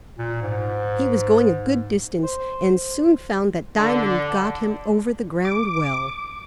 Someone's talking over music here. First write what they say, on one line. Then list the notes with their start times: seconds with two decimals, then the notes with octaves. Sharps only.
He was going a good distance, and soon found that Diamond got him over the ground well.
0.18 A#2
0.42 G#2
2.23 C5
3.77 D3
5.45 D6